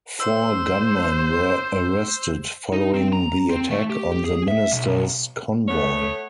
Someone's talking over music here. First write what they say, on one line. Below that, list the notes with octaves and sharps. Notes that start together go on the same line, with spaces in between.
Four gunmen were arrested following the attack on the minister's convoy.
C5 E6
D#4
C4
A#5
C4
A3
G4
G#4
E5
B1
A3 B3 C#5